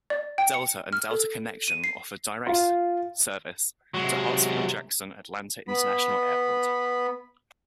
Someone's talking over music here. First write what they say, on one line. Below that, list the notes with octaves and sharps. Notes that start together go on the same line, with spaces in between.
Delta and Delta Connection offer direct service to Hartsfield-Jackson Atlanta International Airport.
D5
G5
C#7
F6
A4
D#7
C7
F4
C3 F#3 G#3
B3 B5